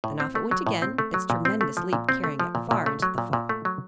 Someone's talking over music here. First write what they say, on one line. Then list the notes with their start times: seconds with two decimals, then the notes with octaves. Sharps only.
Then off it went again, its tremendous leap carrying it far into the fog.
0.04 A2
0.20 C4
0.35 A3
0.51 F#3
0.67 A2
0.82 C4
0.98 A3
1.14 F#3
1.30 A#2
1.45 C4
1.61 A3
1.77 F3
1.93 A#2
2.09 C4
2.24 A3
2.39 F3
2.55 A#2
2.71 A#2
2.86 A3
3.02 F#3
3.18 A#2
3.33 A#2
3.49 A3
3.65 F#3